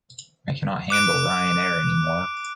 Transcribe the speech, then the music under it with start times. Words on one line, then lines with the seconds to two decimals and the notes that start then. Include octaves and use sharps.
I cannot handle Ryan Air anymore.
0.90 D6 F#6 D7